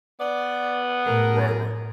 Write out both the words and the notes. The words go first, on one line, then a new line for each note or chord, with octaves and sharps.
Right, right.
B3 D5
A2 G#4 A#4